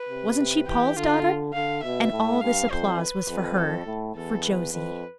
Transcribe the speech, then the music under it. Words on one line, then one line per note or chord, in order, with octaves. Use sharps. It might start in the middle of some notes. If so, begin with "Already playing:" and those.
Wasn't she Paul's daughter! And all this applause was for her--for Josie.
Already playing: B4
C3
C3
E3 G4
D3 F4
D3 F5
B2 E5
A2
G2 F5
F2 C5
B4
F2
A4
A2
E2 A4
B4
F2 B4